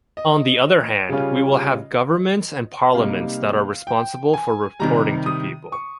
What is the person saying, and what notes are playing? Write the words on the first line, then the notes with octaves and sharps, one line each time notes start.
On the other hand, we will have governments and parliaments that are responsible for reporting to people.
D#5
C#3 G3 C#4 F4
C3 G3 A#3 D#4 F5
G5
G#5
C3 D#3 G3 A#5
D#6
C#6